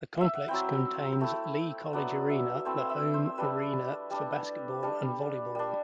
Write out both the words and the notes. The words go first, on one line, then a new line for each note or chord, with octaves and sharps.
The complex contains Lee College Arena, the home arena for basketball and volleyball.
E5
F#5
F#3 C4 E4 G5
A3 E4
F#3 B3 D4 F#5
E5
A3 C4 E4 C5
E5
C5
G3 D4 B4
G3 D4
G3 D4
G3 D4